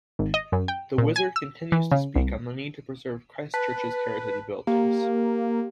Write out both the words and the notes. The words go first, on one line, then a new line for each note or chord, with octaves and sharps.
The Wizard continues to speak on the need to preserve Christchurch's heritage buildings.
G#1
D#5
F#2
G5
A#2
G#5
E6
E3
C#3
C2
B4 A5
A#3 G4